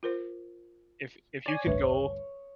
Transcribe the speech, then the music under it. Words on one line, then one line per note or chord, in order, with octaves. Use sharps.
if if you could go
F4 A#4 C5
C#5 D5 G#5
A1 D2 G2 B4 E5 D#6